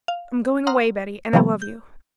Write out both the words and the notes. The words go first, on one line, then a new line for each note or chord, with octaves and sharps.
I'm going away, Betty, and I love you.
F5
F#5 A#5 C6 D#6 F6
C3 D#3 F3 G3 A#3 B3
G6